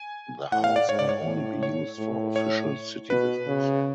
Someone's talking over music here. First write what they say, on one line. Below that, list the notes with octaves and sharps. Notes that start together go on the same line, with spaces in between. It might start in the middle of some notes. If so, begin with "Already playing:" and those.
The house may only be used for official city business.
Already playing: G#5
A2 F#5
F5
D5
G#2 C#5
D5
C#5
A2
C#5
A2
C#5
B2 B4
C#3